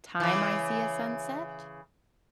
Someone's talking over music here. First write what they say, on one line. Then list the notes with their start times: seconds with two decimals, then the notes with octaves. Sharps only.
time I see a sunset.
0.20 C#3 E3